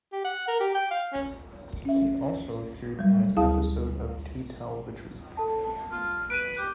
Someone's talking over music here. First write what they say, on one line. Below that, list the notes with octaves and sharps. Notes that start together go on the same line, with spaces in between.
He also appeared in an episode of "To Tell the Truth".
G4
F#5
A#4
G4
G5
F5
C#4
C#4 E5
F#3 G3
D2 E4 G#4 F5 A5 D#6
A4 A5
A5
F4
B4 D7 D#7
G4